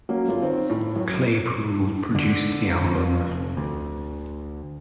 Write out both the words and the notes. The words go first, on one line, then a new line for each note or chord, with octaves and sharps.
Claypool produced the album.
F#3 A#3 C#4
G1 F4
D#3 C4 C#5
A2
F#2
D3
F2
F1
D2